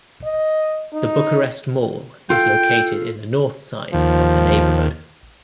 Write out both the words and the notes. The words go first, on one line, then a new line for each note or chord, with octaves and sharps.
The Bucharest Mall is located in the north side of the neighbourhood.
D#5
D#4
F4 A4 F5 G5
D#2 F3